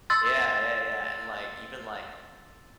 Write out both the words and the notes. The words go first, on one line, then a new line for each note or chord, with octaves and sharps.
Yeah, yeah, yeah, and, like, even, like,
C6 E6 A6